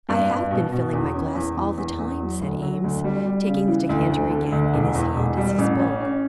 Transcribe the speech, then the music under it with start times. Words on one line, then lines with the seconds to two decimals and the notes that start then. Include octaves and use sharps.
"I have been filling my glass all the time," said Eames, taking the decanter again in his hand as he spoke.
0.09 G2
0.30 G2
0.51 B2
0.72 B2
0.93 E2
1.14 C#4
1.35 E2
1.57 E2
1.78 E2
1.98 E2
2.20 F#3
2.41 D2
2.62 F#3
2.84 D2
3.04 G3
3.25 G3
3.47 C#3
3.68 E3
3.89 D2
4.10 D2
4.31 D3
4.52 D2
4.73 E1
4.95 E2
5.16 E1
5.37 G3
5.58 A1
5.79 C#4
6.00 C#4